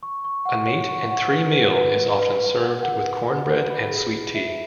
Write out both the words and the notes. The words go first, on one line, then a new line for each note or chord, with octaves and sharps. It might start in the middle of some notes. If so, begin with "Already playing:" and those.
A meat-and-three meal is often served with cornbread and sweet tea.
C#6
C#6
F#5
C#5
C#6
F#5
B4
B4
B4
B4
B4
B4
F#5
F#5
B4
B4
B4
B5
G#4
G#4
E5